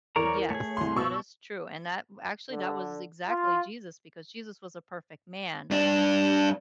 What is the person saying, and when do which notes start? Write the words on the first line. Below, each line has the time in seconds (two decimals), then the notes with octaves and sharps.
Yes, that is true, and that w actually that was exactly Jesus because Jesus was a perfect man,
0.16 E2 A#4 C#5 D5 A#5
0.50 A3 G#4 C#5
0.77 C2 C6
0.96 B2 C#6 E6
2.51 D3
3.28 F4
5.71 G2 D4